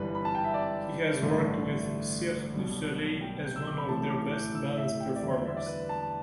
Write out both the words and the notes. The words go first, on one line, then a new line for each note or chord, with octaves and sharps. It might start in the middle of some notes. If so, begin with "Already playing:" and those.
He has worked with Cirque du Soleil as one of their best balance performers.
Already playing: G1 G2 E3 G3 B4
B5
A5
G5
E5
D5
A1 G2 D3 A3
B1 B2 G3
G5
G6
E6
D6
B5
A1 A2 E3 A3 A5
D6
G6
E6
E5
G5
D5
E2 D3 G3 E5
E5
D5
B4
A5